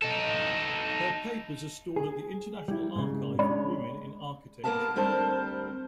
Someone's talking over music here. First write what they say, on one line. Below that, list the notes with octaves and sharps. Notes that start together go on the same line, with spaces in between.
Her papers are stored at the International Archive of Women in Architecture.
D#4 A4
G#4
G3 E4
G#2 C#3
G#3 C#4 D4 C#5 D5 B5
A#3 B3 A#4 E5 F5 A5
D2 G3 C4 A#4 C5 A5